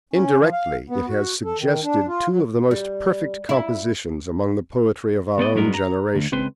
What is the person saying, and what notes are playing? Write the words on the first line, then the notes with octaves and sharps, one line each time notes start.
Indirectly it has suggested two of the most perfect compositions among the poetry of our own generation.
C#4
F3
F5
B3
F#4
A4
D#3
D4
F4
F#3
G3
E4
B3 D5 D#5
G2 F#3 G#3 B3 A#4
A#5
D2
C#2 C4 B4 C6